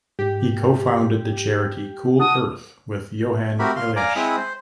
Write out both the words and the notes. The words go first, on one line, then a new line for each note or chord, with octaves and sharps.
He co-founded the charity Cool Earth with Johan Eliasch.
G#2 G4
F#5 A5 D#6
A3 C4 F#4 G4 A#4 B5
F5 C6
D5 F5 G#5 A#5 D6
G#3 C4 E4 B5 D#6
C5